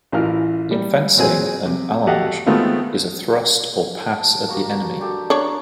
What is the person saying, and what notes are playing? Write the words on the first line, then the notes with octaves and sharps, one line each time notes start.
In fencing, an allonge is a thrust or pass at the enemy.
A1 E3 F4 A#4 F6
G3
A#2 F#3 C4 G#4 G#5
C3
F#4 G4 A4 D#5 F5 F#5
D#3 G#3 A3 B3 C4 F4
A5
A#3 F#4 G4
D4 G4 A4
D4 C#5 F#5 A#5